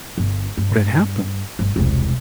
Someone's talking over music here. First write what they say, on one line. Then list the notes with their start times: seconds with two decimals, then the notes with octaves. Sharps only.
What had happened?
0.18 G1
0.57 G2
1.59 G1
1.76 E1 C2